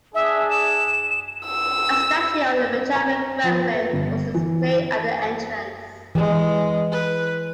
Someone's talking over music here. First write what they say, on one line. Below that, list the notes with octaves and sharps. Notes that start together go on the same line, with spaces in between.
A statue of Benjamin Franklin was displayed at the entrance.
D4 G#4 E5
E7
E6
C4
A#5
F3
B4
G1
E3
E3 G#3
B4